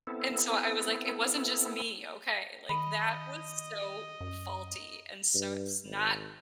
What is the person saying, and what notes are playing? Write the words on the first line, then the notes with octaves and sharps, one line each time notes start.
And so I was like, "It wasn't just me, okay," like, that was so faulty, and so it's not
B3 C4 E4 A4
D#3 D#5 B5
F#2
G2
G#1